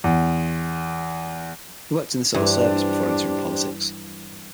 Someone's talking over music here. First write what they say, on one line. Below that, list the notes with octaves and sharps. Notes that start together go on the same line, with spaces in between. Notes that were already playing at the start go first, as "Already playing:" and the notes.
He worked in the civil service before entering politics.
E2
G2 E3 D4 G4 C5